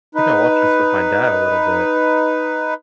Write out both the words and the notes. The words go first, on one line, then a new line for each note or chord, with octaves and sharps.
think I watched this with my dad a little bit,
D#4 B4